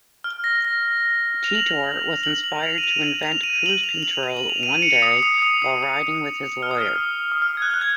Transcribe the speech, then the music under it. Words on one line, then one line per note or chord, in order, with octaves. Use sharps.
Teetor was inspired to invent cruise control one day while riding with his lawyer.
F6
A#6
A#6
F7
F#7
F7
F#7
F#7
F7
D#7
F7
F7
F#7
F7
D#7
F#7
F7
F7
F#7
F7
F#7
F7
D#7
C#7
D#6
D#6
D#6
D#6
D#6
F6
D#6
F6
D#6
F6
G#6
F#6
F#6
G#6